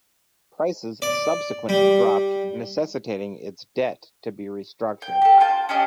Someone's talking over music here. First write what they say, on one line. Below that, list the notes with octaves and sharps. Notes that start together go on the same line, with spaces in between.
Prices subsequently dropped, necessitating its debt to be restructured.
D5
G3
G5
G4 A4
F4 G5 A5
C#4 D4 G4 D#5